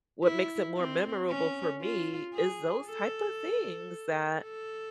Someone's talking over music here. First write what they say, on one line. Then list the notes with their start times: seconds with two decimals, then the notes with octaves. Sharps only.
what makes it more memorable for me is those type of things that
0.24 E4
0.77 C4
1.29 C#4
1.81 F4
2.34 G#4
2.86 A4
4.43 A4